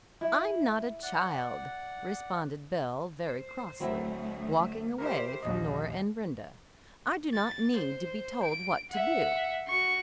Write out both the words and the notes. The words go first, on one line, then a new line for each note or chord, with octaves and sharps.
"I'm not a child," responded Belle very crossly, walking away from Nora and Brenda, "I do not need to be told what to do."
E4
D5 F#5
C5
D2 F#3 A3 C4 E4
E4 G4 A#4 C5
A#1 D#2 D#5
A6
C5
D7
E5 F#5
F#4 C#6